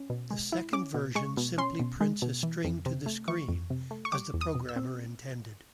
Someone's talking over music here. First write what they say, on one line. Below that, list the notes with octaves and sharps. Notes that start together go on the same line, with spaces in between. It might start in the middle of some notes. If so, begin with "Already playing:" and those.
The second version simply prints a string to the screen, as the programmer intended.
Already playing: C#4
B2
G#3
E4
C#4 D6
B2
G#3 C#6
B2
C#4 C6
B2
G#3
B2
E3
F2
C3
A3
E3 C#6
F2
C3
A3
C#6
G3 D6
E2
D#6
B2
E6
C4